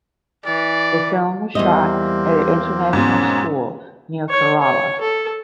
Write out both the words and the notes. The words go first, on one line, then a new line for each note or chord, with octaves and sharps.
The film was shot at an international school near Kerala.
E3 D5
E2 G3 A#3 C4 D#5
G#2 B2 C#4
C#5
C#5
A4